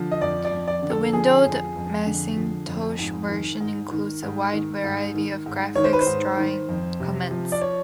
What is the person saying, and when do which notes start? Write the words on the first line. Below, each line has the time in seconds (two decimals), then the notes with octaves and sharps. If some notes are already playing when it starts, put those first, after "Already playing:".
The "windowed" Macintosh version includes a wide variety of graphics drawing commands.
Already playing: D3 F3
0.11 D#5
0.21 F2 D5
0.45 D5
0.52 F2
0.68 D5
0.82 D3
0.90 A4
1.13 F3 G#4
1.45 F2
1.76 F2
2.06 D3
2.37 F3
2.67 F2
2.99 G#2
3.29 D#3
3.60 G#2
3.91 D#3
4.22 G#2
4.53 D#3
4.84 G#2
5.14 D#3
5.46 G#2
5.75 D#3 C#5
5.84 C5
5.93 B4
6.01 C5
6.07 G#2
6.37 D#3
6.69 F2
7.00 C3
7.31 F3
7.52 D5
7.62 C#5